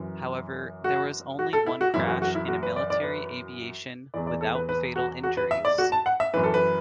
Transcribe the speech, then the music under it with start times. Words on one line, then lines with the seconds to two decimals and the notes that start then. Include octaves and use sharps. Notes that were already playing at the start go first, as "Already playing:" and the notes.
However, there was only one crash in a military aviation, without fatal injuries.
Already playing: F#2 E3
0.84 F#4
1.39 F#4
1.53 A4
1.66 E4
1.81 F#4
1.94 F#2 E3 E4
2.07 F#4
2.22 F#4
2.35 E4
2.48 F#4
2.63 B4
2.76 D5
2.90 D5
3.03 B4
4.14 E2 E3 D5
4.27 D5
4.41 A4
4.55 B4
4.69 B4
4.96 F#4
5.23 F#4
5.37 B4
5.51 E5
5.65 D5
5.78 F#4
5.92 A5
6.06 F#5
6.20 E5
6.34 F#2 E3 B4
6.43 A4
6.54 B4